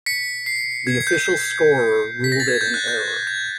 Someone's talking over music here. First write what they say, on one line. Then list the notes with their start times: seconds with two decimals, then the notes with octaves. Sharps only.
The official scorer ruled it an error.
0.06 B6 C#7
0.46 C7
0.87 G#6
1.07 G6
1.26 G6
2.24 B6
2.32 A#6
2.40 A6
2.48 G#6
2.61 G6
2.74 F#6
2.88 G6
3.27 G#6